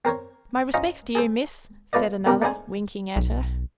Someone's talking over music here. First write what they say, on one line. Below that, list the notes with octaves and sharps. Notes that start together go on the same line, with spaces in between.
"My respects to you, miss," said another, winking at her.
C4 A#4 C5 C#5
C#4 D#4 F4 C5 D#5
G#4 A4 C5
A3 F4 B4 D5 D#5
B1 C#3 G4 A#4
A3 D4 D#4 G#4 C5 G#5
B1